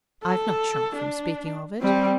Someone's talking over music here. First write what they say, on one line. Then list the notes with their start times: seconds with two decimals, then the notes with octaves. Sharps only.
"I've not shrunk from speaking of it."
0.25 A4
0.96 D4
1.81 G3 C4